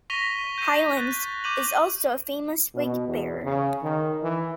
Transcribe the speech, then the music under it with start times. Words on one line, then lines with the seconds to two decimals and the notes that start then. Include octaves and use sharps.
Heylens is also a famous wig bearer.
0.10 C#6 A#6 B6 D#7 F7 G7
0.58 G6 D#7
0.97 F#6 A6
1.44 D6 G6 D#7 F7 F#7
2.75 B2
3.08 E2
3.44 C#3
3.83 D#3
4.23 E3